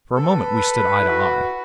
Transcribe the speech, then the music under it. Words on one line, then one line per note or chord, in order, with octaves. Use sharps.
For a moment we stood eye to eye.
A4 B4
E4
F#4